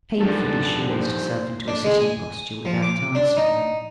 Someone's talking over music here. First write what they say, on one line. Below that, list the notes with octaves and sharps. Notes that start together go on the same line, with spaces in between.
Painfully she raised herself into a sitting posture without answering.
E2 D#3 F3 G3 D4 A4 A5
C5
D4
G#3
G#5
F3
D6
D4
D#4